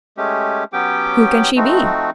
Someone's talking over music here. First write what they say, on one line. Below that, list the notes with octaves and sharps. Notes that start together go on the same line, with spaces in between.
Who can she be?
G#3 A3 C#4 G4
F#3 B3 C#4 G4 G5 D6
F3 A3 C4 D#4 F#4